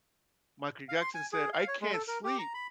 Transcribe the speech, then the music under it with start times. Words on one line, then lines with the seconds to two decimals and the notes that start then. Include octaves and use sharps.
Michael Jackson said, "I can't sleep
0.89 F5
1.01 C6
1.14 G#5
1.33 G#4
1.53 F5
1.68 C#5
1.82 G#3
1.93 A4
2.08 A#4
2.24 G4
2.39 A#5
2.54 B5